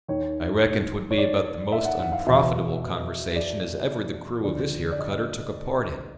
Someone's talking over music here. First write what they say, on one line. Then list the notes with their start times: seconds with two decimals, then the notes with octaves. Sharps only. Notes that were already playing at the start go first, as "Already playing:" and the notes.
I reckon 'twould be about the most onprofitable conwersation as ever the crew of this here cutter took a part in.
0.08 D#2 D#3 C#5
1.11 C#5
1.18 D5
1.72 E5
1.85 F#5
1.99 F#5
2.12 F5
2.26 E2 B2 E5
3.36 D5
4.44 D2 D3 F3 D5
4.92 D5
4.99 D#5